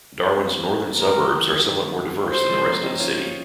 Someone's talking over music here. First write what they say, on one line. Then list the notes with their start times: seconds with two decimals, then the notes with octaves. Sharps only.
Darwin's northern suburbs are somewhat more diverse than the rest of the city.
0.32 G#3 C4
0.92 A#3
0.99 F3 G#3 A#4
1.31 D#3 G3
1.65 D#3 G3
2.32 C5
2.49 F3 G#3
2.65 A#3 C#4
2.83 C4 D#4
2.99 C#4 F4